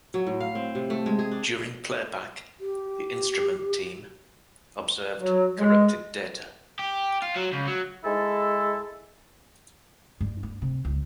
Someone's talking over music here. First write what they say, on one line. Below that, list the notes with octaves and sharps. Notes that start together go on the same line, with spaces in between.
During playback the instrument team observed corrupted data.
F#3
A2
F5
C4
C3
A3
G#3
G#4
D4
G4
F#3
G#3
G4
F4
F#3
C#2
F#3
G#3 E4 A4
G2
D4
C3
C#2